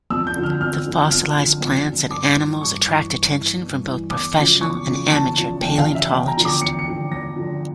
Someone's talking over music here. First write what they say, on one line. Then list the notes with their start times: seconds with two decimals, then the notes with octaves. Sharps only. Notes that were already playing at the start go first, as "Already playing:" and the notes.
The fossilized plants and animals attract attention from both professional and amateur paleontologists.
0.10 F2 E6
0.27 G6
0.36 D3 F3
0.43 F6
0.60 F2 F6
0.86 D3 F3
1.10 F2 F6
1.36 D3 F3
1.61 F2
1.86 D3 F3
2.10 G2 D6
2.35 E3
2.61 G2 C#6
2.85 E3
3.10 G2
3.36 E3
3.62 G2
3.86 E3
4.11 E2 D6
4.37 C#3 F3
4.61 E2 C#6
4.87 C#3 F3
5.11 E2 A5
5.36 C#3 F3
5.61 E2 G5
5.78 F5
5.86 C#3 F3
5.95 E5
6.12 E2 G5
6.28 A#5
6.37 D3 F3
6.45 D6
6.61 E2 C#7
6.79 C#7
6.87 D3 F3
7.11 E2 A#6
7.36 D3 F3